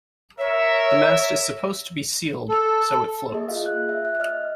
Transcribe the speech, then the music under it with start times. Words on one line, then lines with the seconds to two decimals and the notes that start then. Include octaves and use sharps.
The mast is supposed to be sealed, so it floats.
0.38 A#4 C#5 E5
2.49 A4
3.32 A#3 G#4 D#5
3.48 F4 F5
3.66 F#6
3.89 E5
4.05 F#6
4.20 D#5 F6